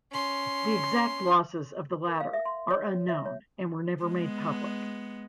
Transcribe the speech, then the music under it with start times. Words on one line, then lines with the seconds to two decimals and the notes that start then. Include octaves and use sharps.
The exact losses of the latter are unknown and were never made public.
0.12 C#4 C6
2.08 A#4
2.20 F5
2.33 E5
2.45 C6
2.71 C#5
3.08 E5
3.26 C#5
4.03 G#3 B3